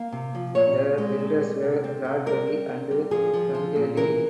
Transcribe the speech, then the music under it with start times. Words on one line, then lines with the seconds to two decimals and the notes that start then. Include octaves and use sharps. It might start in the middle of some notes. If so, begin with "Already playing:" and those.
The builders were Bradbury and Rangeley.
Already playing: A#3 F5
0.12 C3
0.35 F3
0.55 A#2 C#5
0.77 C4
0.98 G#3
1.20 A#2
1.41 G3
1.62 C3
1.84 C4
2.05 C3
2.26 G3 A#4
2.48 G3
2.69 C4
2.91 G3
3.11 F3 G#4
3.33 F3
3.55 F3
3.76 A#2
3.97 E3 A#4